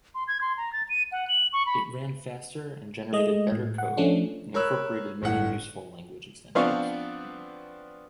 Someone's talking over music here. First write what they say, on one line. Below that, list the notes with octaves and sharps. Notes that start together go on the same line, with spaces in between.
It ran faster and generated better code and incorporated many useful language extensions.
C6
G#6
C6
A#5
A6
D#7
F#5
F#7
C#6
B5
G#3 A3 D#5
A2
F#5
F3 A3 C#4 D4
A#4 C#5 B5 E6 F#6
G1 A2 F#5
F3 B3 C4 D4 F5 C#6